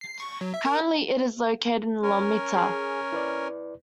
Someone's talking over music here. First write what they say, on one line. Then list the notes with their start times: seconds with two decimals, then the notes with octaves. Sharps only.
Currently it is located in Lomita.
0.01 C7
0.20 C#6
0.41 F#3
0.54 E5
0.66 A#4
2.03 C#4 A#4
2.57 G#4 G#5
3.12 E4 B4 D5